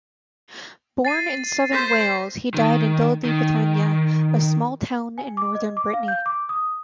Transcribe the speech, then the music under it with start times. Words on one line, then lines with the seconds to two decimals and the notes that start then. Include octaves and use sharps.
Born in southern Wales, he died in Dol-de-Bretagne, a small town in north Brittany.
1.05 A6 C7 D#7
1.72 C5 A#6 B6
2.54 D#3
3.25 D#3
5.18 G#5
5.37 D6
5.55 D#5
5.77 D6
5.93 F5
6.08 G6
6.26 D6
6.49 D#6